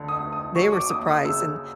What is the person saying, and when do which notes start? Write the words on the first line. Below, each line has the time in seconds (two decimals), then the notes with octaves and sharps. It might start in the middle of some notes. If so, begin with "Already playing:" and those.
they were surprised, and
Already playing: D2 D3
0.08 D#6
0.20 D2
0.32 D#6
0.55 F#3 C#6
0.72 D6
0.90 D#2 D#6
1.08 D#6
1.25 C#3 E6